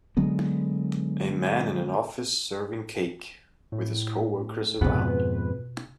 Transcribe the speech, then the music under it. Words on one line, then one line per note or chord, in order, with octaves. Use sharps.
A man in an office serving cake, with his coworkers around.
D3 F#3 G#3 B3
A2
F2 G#2 B2 B3 F4 B4